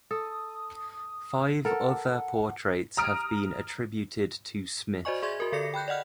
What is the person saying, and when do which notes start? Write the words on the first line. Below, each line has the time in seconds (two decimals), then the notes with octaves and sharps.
Five other portraits have been attributed to Smith.
0.11 A4 D#6
1.65 A4 A#4 F#5
2.97 A#5 D#6 F6 D7
5.05 F#4 C5 D5 D#5 G#5 C#6
5.22 G#4 D5 E5 C6 G#6
5.40 F#4 A#4
5.52 D3 A4 D5 A#6 C#7
5.74 G5 B5 F#6 G6
5.88 D5 D#5 F#5 F6 G6